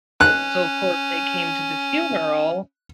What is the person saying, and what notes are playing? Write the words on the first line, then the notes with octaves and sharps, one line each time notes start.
so of course they came to the funeral
C#4 F#6